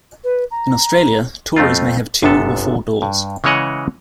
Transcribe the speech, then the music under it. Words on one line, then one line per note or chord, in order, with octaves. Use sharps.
In Australia tourers may have two or four doors.
B4
A#5
F2 A3 C4 F4
G1 F#2 C3 B3 A4
G2
C#3 E3 G#3 C#5 D#5 F#5